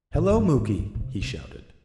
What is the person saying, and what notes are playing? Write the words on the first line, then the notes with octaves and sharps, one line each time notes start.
"Hello, Muky!" he shouted.
A#2
F2
G2
G#2
G2
A#2
C3
C3